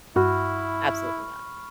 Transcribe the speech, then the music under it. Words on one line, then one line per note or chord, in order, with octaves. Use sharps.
Absolutely not.
G2 E4 F#4 B5 C#6 F6